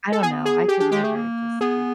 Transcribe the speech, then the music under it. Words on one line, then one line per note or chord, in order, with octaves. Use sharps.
I don't know. I could never just be
A4
B3 G#4
G#4
G4
D4 G4
G#3 G4
A3 G#4
A#3
B3 G#4